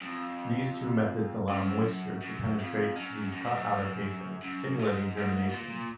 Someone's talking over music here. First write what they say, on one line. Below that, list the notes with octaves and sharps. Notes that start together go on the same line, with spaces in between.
These two methods allow moisture to penetrate the tough outer casing, stimulating germination.
F2
F#2
F#2
F2
F#2
F#2
G#2
F#2
F#2
G#2
G#2
B2
A#2